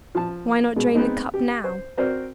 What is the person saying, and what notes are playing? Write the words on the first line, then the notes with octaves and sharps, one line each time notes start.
Why not drain the Cup now?
F3 A5
B2 G#3
G#3 B3 C4 D#4
G4
C5
C4 F#4 A#4 C5 D5